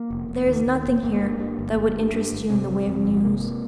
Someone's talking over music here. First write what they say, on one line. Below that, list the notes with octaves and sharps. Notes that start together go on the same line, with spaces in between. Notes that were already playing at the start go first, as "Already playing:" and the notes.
There is nothing here that would interest you in the way of news.
Already playing: A#3
F1
F1
D#2
D#2
F1
G1 A#3
G2
G2
G1
G1
G2
G2
G1
C3 C4
G1
F2
G1
G3
C3 A#3